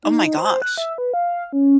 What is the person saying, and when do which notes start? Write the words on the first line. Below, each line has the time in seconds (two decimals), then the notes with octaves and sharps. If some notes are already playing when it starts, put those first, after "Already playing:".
Oh my gosh.
0.04 D#4
0.37 C5
0.62 F#6
0.78 E5
0.98 B4
1.14 F5
1.53 C#4